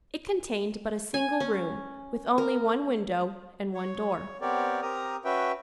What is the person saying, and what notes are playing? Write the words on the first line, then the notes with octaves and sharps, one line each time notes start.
It contained but a single room, with only one window and one door.
G#5
C#4
A#4
C#5
B3 C4 G4 A#4 C#5 D5
C4 G4 A#4 A#5 D#6
C#4 F#4 B4 E5 G5